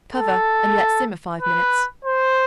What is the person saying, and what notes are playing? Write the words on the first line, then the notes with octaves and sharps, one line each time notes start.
Cover and let simmer five minutes.
A4
B4
C5